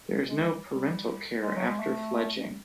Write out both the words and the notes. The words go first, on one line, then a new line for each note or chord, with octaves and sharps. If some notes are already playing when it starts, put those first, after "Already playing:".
There is no parental care after fledging.
G#3
G3
G3
G#3
F#3
G#3
A3